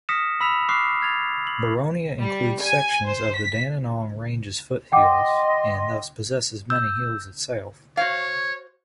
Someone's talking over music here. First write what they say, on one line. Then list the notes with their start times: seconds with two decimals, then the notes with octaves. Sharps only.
Boronia includes sections of the Dandenong Ranges foothills and thus possesses many hills itself.
0.09 D#6 F6 A#6 B6 C#7 E7
0.41 B5 E6 B6 E7 F7
0.69 C#6 D6 F6 F#6 C7
1.01 F6 G#6 A6 F7
1.47 F#7
2.20 G3
2.60 G#5
3.04 C5
3.35 B6
4.92 D#5 F#5 G5 C6 D6
6.70 E6 G6
7.97 F#4 C5 C#5 F5